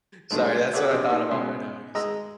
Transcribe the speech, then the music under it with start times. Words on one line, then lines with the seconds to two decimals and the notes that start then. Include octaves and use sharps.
Sorry, that's what I thought about right now when you said
0.31 A#2 D3 F#3 G#3 A3
0.74 F#4 G#4 B4 C#5 D5 E5
0.90 A#1 C3 D5 D#5 D#6 E6
1.10 A#2 D4 D#4
1.31 C#2 B2 C6
1.95 G#3 D#5 A#5 E6